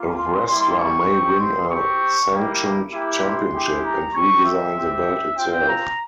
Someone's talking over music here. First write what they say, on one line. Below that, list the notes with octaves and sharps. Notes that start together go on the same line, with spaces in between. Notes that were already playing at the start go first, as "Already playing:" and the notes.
A wrestler may win a sanctioned championship and redesign the belt itself.
Already playing: A#3 F4
C6
G3 A#3 E4 G4 C6
C#6
C4 G4
C6
C4 G4 C#6
G3 A#3 E4 G4
A#3 E4 G4
C6
G#3 E4 G4
A#5
G3 C4 G4 C#6
E5
C4 G4
C4 F4 G5
A#5